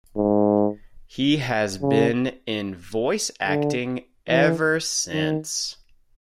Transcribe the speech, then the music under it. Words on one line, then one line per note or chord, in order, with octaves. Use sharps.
He has been in voice acting ever since.
G#2
C#3
D3
E3
D#3